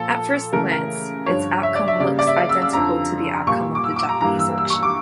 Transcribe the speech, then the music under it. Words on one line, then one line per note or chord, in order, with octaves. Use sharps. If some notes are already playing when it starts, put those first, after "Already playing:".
At first glance, its outcome looks identical to the outcome of the Japanese auction.
Already playing: A#2 F3 A#3 A4
C#3 E3 A3 A#4
A#4
G2 D3 F3 C#5
E5
D5
E5
C#3 G3 A#3 D5
D5
E5
F5
E6
E6
F2 D3 F3 A#5
A#2 G3 A#3 C#6
D6
E6
D6
A#5
G2 E3 G3 A#3 A#5
E6
E6
C#6
D6